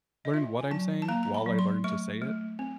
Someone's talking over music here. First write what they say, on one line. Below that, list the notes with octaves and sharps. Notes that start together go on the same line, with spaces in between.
learn what I'm saying while I learned to say it,
D#5
F4 E5
G#5
F#3 A5
A5
A#3 A#5
A#5
B5
F#3
C6
A3 C#6
A3
C4